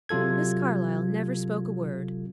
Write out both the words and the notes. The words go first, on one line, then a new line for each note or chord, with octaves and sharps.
Miss Carlyle never spoke a word.
C3 F#3 F4 A4 G#6